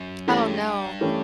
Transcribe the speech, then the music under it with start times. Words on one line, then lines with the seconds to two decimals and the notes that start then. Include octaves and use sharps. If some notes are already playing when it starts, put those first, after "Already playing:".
Oh no.
Already playing: F#2
0.27 G2 E3 A3 C#4 E4 G4
1.01 E3 A3 C#4 E4 G4